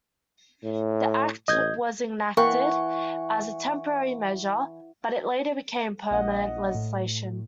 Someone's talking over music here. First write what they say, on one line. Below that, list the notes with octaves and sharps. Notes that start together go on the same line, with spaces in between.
The act was enacted as a temporary measure, but it later became permanent legislation.
A2
A1 D#5 G6 G#6
E3 A#3 A#4 F#5 G5 C#6
A#1 D#5 F#5
A2